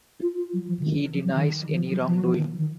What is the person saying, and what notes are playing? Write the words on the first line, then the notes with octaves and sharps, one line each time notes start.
He denies any wrongdoing.
F4
F4
F#3
F3
C#3
D#3
F3
F#3
D#3
D#3
F3
F#3
F3
F#3
F3
D#3
D#3